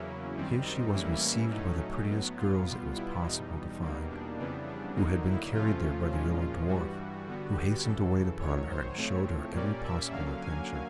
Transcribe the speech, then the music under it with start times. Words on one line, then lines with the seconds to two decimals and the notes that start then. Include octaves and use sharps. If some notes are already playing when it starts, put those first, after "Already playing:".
Here she was received by the prettiest girls it was possible to find, who had been carried there by the Yellow Dwarf, who hastened to wait upon her and showed her every possible attention.
Already playing: E2 C#3 F#3 A#3 C#4 E4
0.36 F#2 D#3 G3 C4
0.66 D#4
0.94 A2 E3 G3 A#3 C#4 E4
1.52 A2 F#3 A3 C#4 D#4
2.09 A2 F#3 B3
2.38 F4
2.66 B2 G3 B3
2.95 E4
3.23 E2 B2 G3 D#4
3.81 E2 B2 G3 A#3
4.10 D4
4.38 F2 C#3 E3 G3 B3 D4
4.67 D4
4.95 D3 F#3 A#3 D#4
5.24 E4
5.53 C3 F3 A3 C#4 F4
6.11 A#2 F3 G#3 C#4
6.40 F4
6.68 G2 E3 G3 F#4
7.25 D3 G3 B3
7.54 G4
7.83 F#2 C#3 E3 A4
8.40 G#2 D#3 F#3 C#5
8.69 C5
8.97 A2 F3 A3 C4 C#5
9.55 A#2 G3 A#3 C#4 D5
9.84 E5
10.12 D3 F#3 A#3 C#4 F5
10.42 G#5